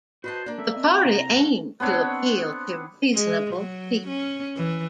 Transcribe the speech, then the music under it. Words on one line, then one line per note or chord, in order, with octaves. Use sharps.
The party aimed to appeal to 'reasonable people'.
F#4 B4 C5 D#5 A5
A#3 D4
A3 C#4 A4 E5
C4 D#5
C3 C4 E4 A#5
D2 G#3 A4 C#5
B3 C4 D4 C#5
G#3
F#3
C#4
E3